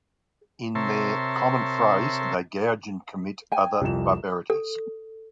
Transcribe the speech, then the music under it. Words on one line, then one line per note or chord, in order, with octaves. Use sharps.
In their common frays they gouge and commit other barbarities.
C3 A#4 C#5 E5 A5 C6
G5 G#5
C2 F2 E7
A4